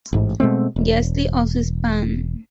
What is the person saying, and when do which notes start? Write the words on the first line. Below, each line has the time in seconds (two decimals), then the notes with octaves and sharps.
Gasly also spun.
0.13 A1 G#2
0.40 B2 G#3 A3 C4
0.76 E1